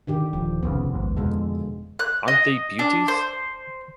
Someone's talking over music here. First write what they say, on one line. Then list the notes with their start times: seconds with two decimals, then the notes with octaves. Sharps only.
Aren't they beauties?
0.07 D3 D#3 G4
0.33 D#1 F3
0.63 F1 C2 C#3 B3
0.92 A1 D#2 G#2
1.17 F2 B2 D3 G#3
1.99 F#6
2.28 D#5
2.79 D4
3.08 C5